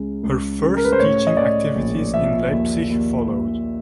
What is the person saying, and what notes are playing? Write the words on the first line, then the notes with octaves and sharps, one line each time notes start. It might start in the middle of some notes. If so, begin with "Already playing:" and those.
Her first teaching activities in Leipzig followed.
Already playing: C#2 C#3
C#2
C#3
A#4
B4
C5
A2 C#5
D#5
A2 D5
A#1
F3 E5
D#2
D#2
D#2